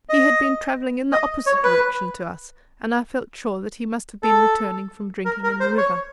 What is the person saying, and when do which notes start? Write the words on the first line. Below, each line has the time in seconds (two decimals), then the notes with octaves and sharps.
He had been travelling in the opposite direction to us, and I felt sure that he must have been returning from drinking in the river.
0.09 D#5
1.12 D#5
1.47 C#5
1.64 B4
4.23 A4
5.25 A#4
5.43 A#4
5.60 C5
5.78 C#5